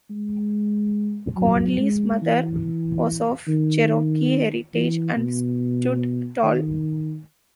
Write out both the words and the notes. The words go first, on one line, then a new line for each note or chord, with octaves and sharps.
Conley's mother was of Cherokee heritage and stood tall.
G#3
F#3
G#3
E3
D#3
E3
B2
D#3